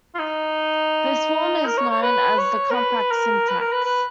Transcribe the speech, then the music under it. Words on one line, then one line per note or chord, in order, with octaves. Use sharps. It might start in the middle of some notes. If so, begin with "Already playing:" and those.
This form is known as the compact syntax.
F4
D#4
A#4
C#5
C#5
B4
C#5
A#4
B4
A#4
B4
A#4
B4
B4